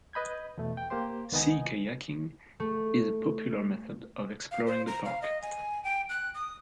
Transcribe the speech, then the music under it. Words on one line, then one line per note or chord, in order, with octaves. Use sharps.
Sea kayaking is a popular method of exploring the park.
B4 D#5 B5 G6 G#6
E2 B2 A3
G5
A#3 G4 C5 C6
C#2 D#3 B3 D#4 D#5 G#5
A3
F5
C5
A#5
F5
D#5
G#5
G5
F#6
D#6